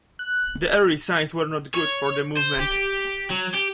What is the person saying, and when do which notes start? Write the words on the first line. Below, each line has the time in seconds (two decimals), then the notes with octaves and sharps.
The early signs were not good for the movement.
0.19 F#6
1.75 C#5
2.37 C5
2.59 G4
3.30 F#3
3.54 G4